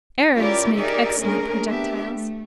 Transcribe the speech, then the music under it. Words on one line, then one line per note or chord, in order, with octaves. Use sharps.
Errors make excellent projectiles.
C#4 E4 F4 G4 A#4 D5
D#4 G4 G#4 A#4 D5 E5
A3 A#3 C#4 D4 G#4 A#4
B3 D4 G4 E5
A3